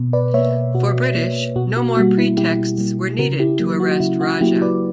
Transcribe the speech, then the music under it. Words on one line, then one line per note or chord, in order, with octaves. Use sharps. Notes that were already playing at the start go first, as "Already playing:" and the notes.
For British no more pretexts were needed to arrest Raja.
Already playing: B2
B4 D5
A#3 C#5 E5
B2 F#4
A#3
B2 F#4
F#4
G3 A#3 F#4
E4
B2 E4 G4
G3 A#3
C#3 F#4 A#4
E4 G4
F#3 A#3
F#4
F#4
C#3 E4
F#4
F#3 A#3 E4 G4
B4 D5